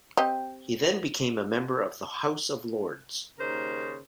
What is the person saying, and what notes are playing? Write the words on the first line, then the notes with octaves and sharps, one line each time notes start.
He then became a member of the House of Lords.
C4 G4 D#5
D#2 C#3 D#4 A#4 C5